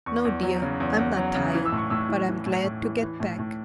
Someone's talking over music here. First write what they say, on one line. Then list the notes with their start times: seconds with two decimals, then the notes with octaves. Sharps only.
"No, dear, I'm not tired--but I'm glad to get back."
0.06 E2 C#6
0.25 E2
0.43 F#3
0.62 C#3
0.80 E2
0.99 E2
1.17 F#3
1.35 C#3
1.55 E3
1.65 E6
1.72 A2
1.77 C#6
1.90 A2 E6
2.09 E3
2.28 E3
2.46 A2
2.64 A2
2.82 E3
3.02 E3
3.20 A2
3.39 A2